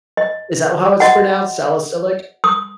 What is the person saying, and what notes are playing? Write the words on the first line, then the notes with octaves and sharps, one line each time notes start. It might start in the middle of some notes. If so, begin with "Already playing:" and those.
Is that how it's pronounced, salicylic?
D#5
F#4 D#5 F#5
D#6